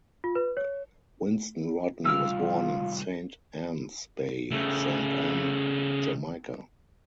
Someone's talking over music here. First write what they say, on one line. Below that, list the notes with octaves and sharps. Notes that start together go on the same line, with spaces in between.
Winston Rodney was born in Saint Ann's Bay, Saint Ann, Jamaica.
F4
B4
C#5
C3 D#3 G3 F4 E6 F6
C#3 A3